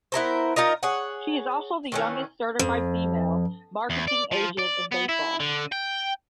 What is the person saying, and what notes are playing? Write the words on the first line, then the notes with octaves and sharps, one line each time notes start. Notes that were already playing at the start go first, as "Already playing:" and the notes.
She is also the youngest certified female marketing agent in baseball.
B3 E4 A#4 C5
D#4 F4 A#4 D#5
G#4 C#5 F#5
D#3 E3 C#4
F2
E2
D5
F3
D5
B3
E4
D3
G5